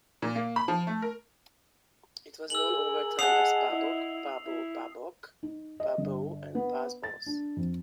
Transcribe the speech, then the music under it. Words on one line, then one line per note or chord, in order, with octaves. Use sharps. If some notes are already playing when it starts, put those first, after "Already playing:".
It was known over time as Paboc, Pabo, Pabok, Pabeau, and Pas-bos.
A#2
A#3
B5
F3
A3
A#4
G#4 A#4 E6 F#7
G#4 D#5 F#5 A5 D#6 C7 F7
E4
E4
D#4
D#5
G1
B3
A6
D4
F2